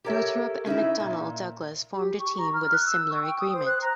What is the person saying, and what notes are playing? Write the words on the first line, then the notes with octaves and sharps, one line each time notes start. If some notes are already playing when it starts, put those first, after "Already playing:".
Northrop and McDonnell Douglas formed a team with a similar agreement.
G4 A4 A#4 C#5 E5
C#4 D#4 E4 E5
A#2
G4
C#6
A#5
F6
F#6
E6
C#6
G5
D#6
C5
F#6
A#5